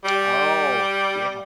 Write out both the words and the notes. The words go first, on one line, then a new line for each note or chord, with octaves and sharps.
Oh, yeah.
G3